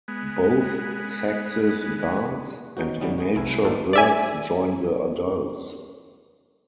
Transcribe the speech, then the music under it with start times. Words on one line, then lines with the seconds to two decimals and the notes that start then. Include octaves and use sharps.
Both sexes dance, and immature birds join the adults.
0.08 G#3 B3
2.77 C#4 D#4 F#4
3.00 D3 E3 G3 B3 C#4 D#4
3.18 F#4 G#4
3.36 C2 E4 G#5
3.64 A2 D4 D#4 F4 F#4 A4
3.93 D5 E5 G#5